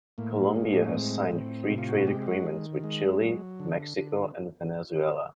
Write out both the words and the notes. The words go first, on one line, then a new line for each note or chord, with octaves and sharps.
Colombia has signed free-trade agreements with Chile, Mexico, and Venezuela.
A2 A#3
G#3
D4
C#4
A2 C4
A2
C3
F4
F#4
G#3 G4
G4
F#4
D#3
G#3
F#3
D3
D3